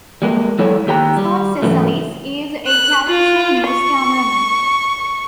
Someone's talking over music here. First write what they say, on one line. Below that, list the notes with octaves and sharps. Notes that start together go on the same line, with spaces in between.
John Cassellis is a television news cameraman.
G3 G#3 A#3
F#3 G#3 E4 A4 C#5
D#2 G4 G5 A#5
G3
G#2 C#3 E3 F#3 A3
F#6
F4
C#6